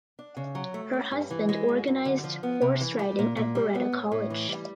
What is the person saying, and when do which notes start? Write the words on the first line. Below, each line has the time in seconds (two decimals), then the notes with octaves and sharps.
Her husband organised horse riding at Beretta College.
0.19 D4
0.37 C#3
0.55 F#3
0.74 A3
0.93 C#4
1.11 G2
1.30 E3
1.49 G#3
1.69 F#2
1.87 F#2
2.05 D3
2.24 F3
2.43 B3
2.61 C3
2.81 E3
2.99 G3
3.19 A#2
3.37 A#2
3.55 G3
3.75 B3
3.93 A2
4.12 A2
4.30 E3
4.49 G3